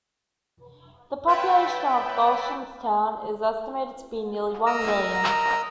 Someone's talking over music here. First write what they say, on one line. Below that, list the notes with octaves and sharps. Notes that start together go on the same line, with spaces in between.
The population of Gulshan Town is estimated to be nearly one million.
B4 C#5 E5 G5 A5 B5
A#4 D#5 A#5 E6